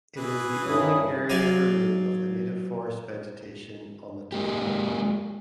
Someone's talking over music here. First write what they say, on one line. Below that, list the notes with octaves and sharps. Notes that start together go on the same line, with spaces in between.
It is the only area remaining of native forest vegetation on the Tafuna Plain.
E3 G#4 B4
G2 C3 G3 C#4 E4 D#6
F#3 D5 F5 G#5
G#3 A#3 G4